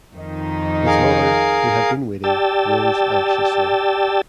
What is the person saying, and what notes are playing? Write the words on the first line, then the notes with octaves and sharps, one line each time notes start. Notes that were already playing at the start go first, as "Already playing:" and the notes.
His mother, who had been waiting, rose anxiously.
F2 D#3 D#4
G#4 A#4 F5
G4 D5 G5 A5 E6